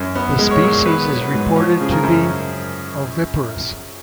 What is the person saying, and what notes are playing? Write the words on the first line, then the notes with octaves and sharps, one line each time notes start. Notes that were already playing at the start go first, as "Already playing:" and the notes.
This species is reported to be oviparous.
Already playing: F#2
B3
G#3
C#5
A#2
B3 B4
F#3
B4
G#2
F3 C#5
C#3 G#4
A#4
F#2